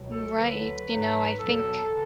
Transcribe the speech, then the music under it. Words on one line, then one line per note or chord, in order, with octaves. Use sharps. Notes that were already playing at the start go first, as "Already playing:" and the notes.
Mm, right, you know, I think
Already playing: C#2 B2 F#3
A4
D2 D3 F#3 B4
G#2 F#3
E2 B2 F#3 A4
C#3 E3